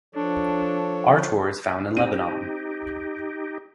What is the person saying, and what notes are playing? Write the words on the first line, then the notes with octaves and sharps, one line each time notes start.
Artur is found in Lebanon.
F3 D4 A4 C#5
C4 D#4 G4 D#7